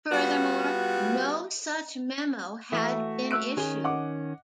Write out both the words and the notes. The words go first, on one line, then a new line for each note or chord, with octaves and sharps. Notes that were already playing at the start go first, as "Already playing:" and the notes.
Furthermore, no such memo had been issued.
G3 B3 F4 F#4
E3 A3 F#4 E5
E6 F#6 D7
D#3 C#4 G#4 G7
D#5 F#5 D6